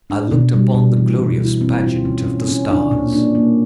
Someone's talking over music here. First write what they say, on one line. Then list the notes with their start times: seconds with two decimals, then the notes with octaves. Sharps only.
I looked upon the glorious pageant of the stars.
0.10 D4
0.32 B2
0.54 G3
0.74 B2
0.96 E3
1.18 E3
1.40 E4
1.61 C4
1.83 F4
2.05 C#4
2.27 C#4
2.48 C#4
2.70 D4
2.91 A#2
3.13 D4
3.35 A#3